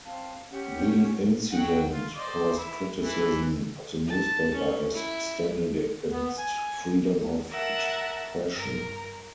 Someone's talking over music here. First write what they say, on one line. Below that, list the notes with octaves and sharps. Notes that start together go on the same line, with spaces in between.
The incident caused criticism of the newspaper as standing against freedom of expression.
C4 F5 A5
C#4 G4 F#5
F#3 F#5 G5
F4
C5 D5 D#5
E4
E3 E4
A5
C#4
E4
B3
G#5
A#4 E5 F#5 A5
G2 A#4